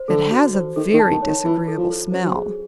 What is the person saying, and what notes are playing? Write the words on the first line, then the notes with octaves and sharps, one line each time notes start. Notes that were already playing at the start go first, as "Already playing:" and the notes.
"It has a very disagreeable smell."
Already playing: C5
D3 A4
F#4
C5
D#3 A4
D#3
A5
D#3
D#3 C#5
E3 F4
A4
F3
A4
F#3 C5
G#4